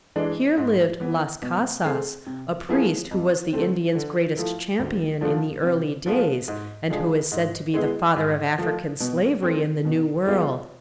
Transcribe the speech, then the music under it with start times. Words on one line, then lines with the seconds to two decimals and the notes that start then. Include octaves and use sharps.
Here lived Las Casas, a priest who was the Indian's greatest champion in the early days and who is said to be the father of African Slavery in the new world.
0.16 E3 G#3 D4
0.58 G#2
1.00 E3 B3
1.42 B2
1.84 A3 C4 G#4
2.26 C3
2.69 F3 B3 E4 G#4
3.11 F2
3.53 D3 A3 C4
3.95 D3
4.37 F3 A3 E4
4.79 D2
5.21 D3 F3 A3 D4
5.63 C3
6.06 F3 B3 F4 G#4
6.48 G#2
6.90 F3 G#3 D4 G#4
7.32 G#2
7.74 G#3 B3 E4 G#4
8.16 G#2
8.58 F3 A3
9.00 B2
9.43 A3 C4
9.85 B2
10.26 G#3 B3 F4 G#4